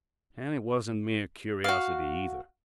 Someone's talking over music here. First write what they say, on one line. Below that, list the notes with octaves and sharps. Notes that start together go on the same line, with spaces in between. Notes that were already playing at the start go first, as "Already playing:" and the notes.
And it wasn't mere curiosity, either.
F#4 F5